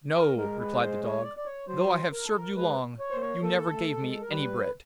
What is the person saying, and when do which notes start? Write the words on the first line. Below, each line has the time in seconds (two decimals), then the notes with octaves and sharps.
'No,' replied the dog; 'though I have served you long, you never gave me any bread.
0.15 A#4
0.37 G#3 A#4
0.59 B4
0.81 C5
1.03 C#5
1.24 D5
1.37 D5
1.46 C#5
1.68 F#3 C5
2.12 A#4
2.25 A4
2.37 A#4
2.56 G#3 B4
3.00 C#5
3.10 A#3 C5
3.21 C#5
3.42 A#3 A4
3.72 A3
4.01 G#3
4.21 A#4
4.30 G3 B4